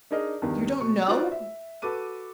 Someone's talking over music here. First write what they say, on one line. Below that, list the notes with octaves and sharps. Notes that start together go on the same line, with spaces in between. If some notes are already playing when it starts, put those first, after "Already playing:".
You don't know!
D4 D#4 G#4 A#4 D#5
E2 G2 D#3
B2 C#6
D#4 F4 F#4 B4 C5 D5
E5
F#4 A4 B4 D6 D#7